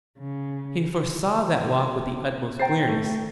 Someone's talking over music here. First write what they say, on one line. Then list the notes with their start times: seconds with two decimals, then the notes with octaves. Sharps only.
He foresaw that walk with the utmost clearness.
0.18 C#3
2.59 C5 G5 A#5 A6 C7
2.89 A3